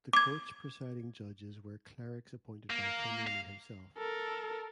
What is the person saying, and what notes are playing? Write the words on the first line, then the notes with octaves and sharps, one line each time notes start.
The courts presiding judges were clerics appointed by Khomeini himself.
D6 G#6
A#3
F5
A4 A#4